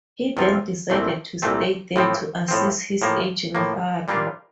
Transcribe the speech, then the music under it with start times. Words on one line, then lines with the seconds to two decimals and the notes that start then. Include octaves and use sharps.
He then decided to stay there to assist his aging father.
0.37 E2 C3 F3 C4 F4
0.90 C2 A#2 A3 C4
1.42 C2 A#2 A3 C4
1.96 A2 F3 C4
2.48 A2 F3 C4
3.02 A2 F3 A#3
3.55 A2 F3 A#3
4.08 A#2 G3 A#3 D4 F4